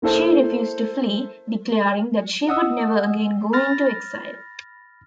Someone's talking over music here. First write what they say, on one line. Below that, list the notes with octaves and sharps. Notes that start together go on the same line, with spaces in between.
She refused to flee, declaring that she would never again go into exile.
A#3 E4 A4 C5
D#5 F#5 D#6 E6
B5 F6 A6 A#6